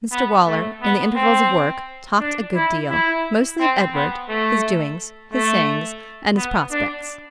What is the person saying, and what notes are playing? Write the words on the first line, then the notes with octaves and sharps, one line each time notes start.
Mr Waller, in the intervals of work, talked a good deal, mostly of Edward, his doings, his sayings, and his prospects.
B3
A3
B3
C4
D4
E4
E4
C4
B3
A3
A3
B3
D4